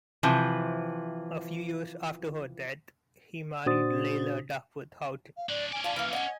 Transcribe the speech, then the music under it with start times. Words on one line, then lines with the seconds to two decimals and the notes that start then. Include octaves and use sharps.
A few years after her death, he married Leila Duckworth Houghton.
0.23 C3 E3 F3
3.66 A#2 D4 F#4 C5 D#6 A6
5.37 F5
5.49 A2 D4 D5
5.72 C#4 D5 G#5
5.84 D4 F4 A5
5.96 E3 A#3 F6
6.13 D#5 F#5 G#5